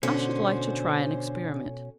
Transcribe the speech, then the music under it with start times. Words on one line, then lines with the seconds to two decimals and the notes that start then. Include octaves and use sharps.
I should like to try an experiment.
0.03 B2 D3 C#4 C5